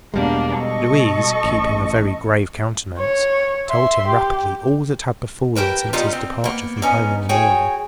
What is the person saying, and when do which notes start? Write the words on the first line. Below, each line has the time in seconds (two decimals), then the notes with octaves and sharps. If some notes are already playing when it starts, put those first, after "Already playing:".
Louise, keeping a very grave countenance, told him rapidly all that had befallen since his departure from home in the morning.
0.14 E2 B2 G3 G#3 A#3 D4
0.59 A4 D#5 C#6
1.44 A1
2.99 C#5
3.68 E5 C6
4.07 G4
5.55 G4 A#4 B4 A5
5.93 G3 B3 D#4 F4
6.13 C4
6.44 A#3 B3
6.82 B3 C#4 D#4
7.29 F#4 G#4 C#5 G5 G#5